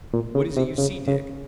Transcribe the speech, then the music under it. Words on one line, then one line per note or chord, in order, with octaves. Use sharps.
"What is it you see, Dick?"
A#2
C#3
C3
C#3
C#3